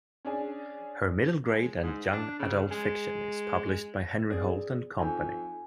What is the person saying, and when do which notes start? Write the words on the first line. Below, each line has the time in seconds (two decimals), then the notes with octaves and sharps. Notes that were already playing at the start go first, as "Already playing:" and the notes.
Her middle grade and young adult fiction is published by Henry Holt and Company.
0.25 C#4 D4 G#4
1.49 G#3
1.83 G#2
2.12 D4
2.39 C#3
2.71 G#3
4.30 C4 G#4 D5
4.99 F2 D#4 G#5